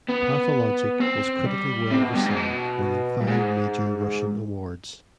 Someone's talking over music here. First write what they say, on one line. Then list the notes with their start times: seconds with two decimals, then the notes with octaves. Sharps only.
"Pathologic" was critically well received, winning five major Russian awards.
0.09 B3
1.00 C4
1.46 G3
1.92 C3
2.03 B2
2.14 G2
2.26 G#2
2.37 B2
3.21 G2
3.28 G#2